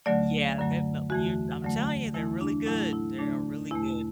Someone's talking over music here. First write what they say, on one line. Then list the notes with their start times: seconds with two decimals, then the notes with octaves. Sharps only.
Yeah, the that you I'm telling you, they're really good. They are really good.
0.06 D2 D3 F#3 A3 D5
0.58 F#2 D3 F#3 A3
1.10 E2 E3 A3 F#4
1.62 D2 D3 F#3 A3
2.14 E2 E3 A3 E4
2.41 D4
2.66 A2 F#3 A3 E4
2.93 E4
3.18 D2 D3 A3 D4
3.71 E2 B2 A3 E4